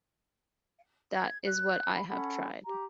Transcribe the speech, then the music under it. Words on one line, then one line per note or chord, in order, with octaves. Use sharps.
That is what I have tried.
G#6
F#6
B5
C#4 A4 F#5 B5
G4 A#5